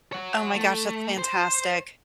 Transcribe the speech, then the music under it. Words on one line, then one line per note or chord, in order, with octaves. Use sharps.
Oh my gosh, that's fantastic.
C#5 F#5
A3
C5